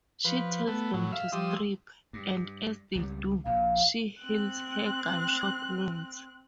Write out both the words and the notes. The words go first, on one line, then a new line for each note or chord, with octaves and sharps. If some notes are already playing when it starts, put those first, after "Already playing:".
She tells them to strip, and as they do, she heals her gunshot wounds.
F3 B4
A3 B3
A2 F#3
E5 F5
F3 G3 C6 D#6 E6
G2
C#2 F#3 G3
A#1 A#2 F5
C4 F#6